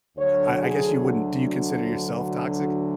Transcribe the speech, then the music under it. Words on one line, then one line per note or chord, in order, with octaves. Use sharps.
I I guess you wouldn't do you consider yourself toxic?
D2 D3 F#3 C#5
G#4